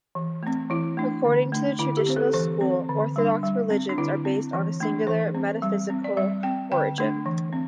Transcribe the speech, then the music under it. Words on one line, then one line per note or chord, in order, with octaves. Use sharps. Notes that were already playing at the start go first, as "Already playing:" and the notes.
According to the Traditionalist School, orthodox religions are based on a singular metaphysical origin.
E3
A3 C4
E3 E4
A3 D4
D3
A3 D4
D3 E4
G4
C4 C5
A4
E3 C5
C4
D3
G3 D4
G3
C4
D4
D3 E4
C4
E3
A3 D4
E3 C5
C4
G3
C4
D5
G3 E5
C4 G5
D3 G5
A3 D4
E3
C4